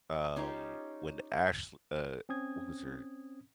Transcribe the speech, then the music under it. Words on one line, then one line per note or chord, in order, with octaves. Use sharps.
um, when Ash uh, what was her
C#4 D#4 F4 G4
C4 C#4 D#6 G#6